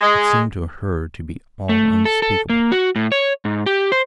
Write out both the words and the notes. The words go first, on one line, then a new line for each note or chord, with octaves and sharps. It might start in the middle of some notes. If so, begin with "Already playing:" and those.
It seemed to her to be all unspeakable.
G#3
A3
A4
A4
A#3
F#4
A2
C#5
G#2
G4
C5